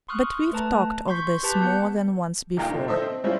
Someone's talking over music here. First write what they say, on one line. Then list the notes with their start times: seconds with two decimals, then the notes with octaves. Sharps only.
But we've talked of this more than once before.
0.08 C6 C#6 D#6 F6 F#6
0.52 A3 B4 A5 A#5
1.08 C6 C#6 G6 B6
1.43 G4 B4 A5 G6 B6
1.60 B3 G6 C#7
2.57 G1 A#2 D#4 F4 A#4 G5
2.70 D3 F3 D4
2.88 A4 C5 D#5 E5
3.02 C4
3.24 G3 G#3 C4 C#4 E4 F4